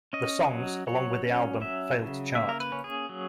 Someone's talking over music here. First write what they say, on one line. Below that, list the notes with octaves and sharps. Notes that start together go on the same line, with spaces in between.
The songs, along with the album, failed to chart.
C#4 D#5
F#3
F#3 C#5
C#4
F#3 E5
C#3
A#3 E5
A#4
B4
C#4
G#4
F#3